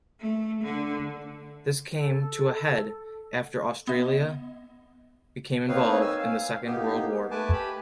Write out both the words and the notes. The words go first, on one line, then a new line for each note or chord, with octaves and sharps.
This came to a head after Australia became involved in the Second World War.
A3
D3
A4
B3 D#5
A#3 C4 D#4 B4 C#5 F5
G#5 E6
F5
A#3 B3 D#4 G4
A3 B4 G#5 A5 D6
G4 B5